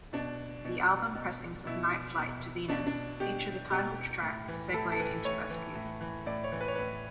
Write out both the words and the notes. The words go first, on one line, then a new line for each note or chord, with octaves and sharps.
The album pressings of "Nightflight to Venus" feature the title track segued into "Rasputin".
B2 D4
B2
B2
B2 E4
B2
B2 D4
D4
B2 G4
B2 G4
A2
E3
A2 A4
A4
E3 B4
A2 C#5
E3
A2
E3
A2 D5
C#5
E3
B4
C#5
A2 B4